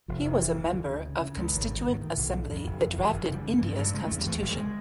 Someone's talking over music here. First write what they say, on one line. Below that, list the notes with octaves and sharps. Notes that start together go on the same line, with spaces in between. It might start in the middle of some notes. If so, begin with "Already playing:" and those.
He was a member of constituent assembly that drafted India's constitution.
F1 F3
F1
E3
F1
D2
D3
D2
C#3
C#3
C#2
G#1 D#3
D3
D#3
G2
A2 D#3
B1
A2
F2
F#1
F2
F#1 E3
F#1 D#3
F3
C#3 G3
D3
E3
G2
F3
G2 F#3
G3
C#3 G#3
E2 A3
G3
E2 A3
F#1 G#3
G3
G#3